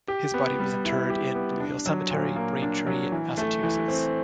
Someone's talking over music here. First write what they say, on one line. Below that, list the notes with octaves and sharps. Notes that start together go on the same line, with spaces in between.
His body was interred in Blue Hill Cemetery, Braintree, Massachusetts.
G4
B3
G3
E4
G4
B3
D4
F#3
A#2
A#3
D4
F#3
E3
A3
E3
C4